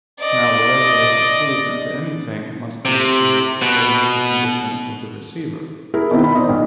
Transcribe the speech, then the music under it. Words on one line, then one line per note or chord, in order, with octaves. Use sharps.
Now whatever is received into anything must be received according to the condition of the receiver.
D5 D#5
C3
B2
E4 G#4 A#4
B2 D#3 C4 E4
F4 B5
C5 D5 D#5
B1